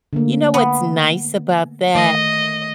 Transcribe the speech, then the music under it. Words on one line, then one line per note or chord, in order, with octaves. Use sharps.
you know, what's nice about that?
D3 A3 A#3
B3
D#3 A3 D#5